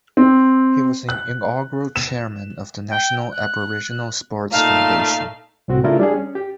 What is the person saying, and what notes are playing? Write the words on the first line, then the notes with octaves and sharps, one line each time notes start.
He was the inaugural chairman of the National Aboriginal Sports Foundation.
C4
F#6
E7
G5
F#6
A#2 A3 D#4 F5
C2 A2 C4 F#4
C#3 A3 D4 E4 F4 A#4
G3 D4 G#4
C#4
G4